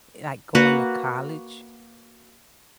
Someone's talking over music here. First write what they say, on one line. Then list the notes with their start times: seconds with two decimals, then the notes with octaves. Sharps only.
like, going to college,
0.55 A#3 F#4 B4 F#5